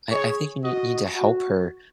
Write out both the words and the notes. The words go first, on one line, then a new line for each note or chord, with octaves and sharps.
I I think you nee need to help her,
G#4 C#5
F#4 D#5
F#4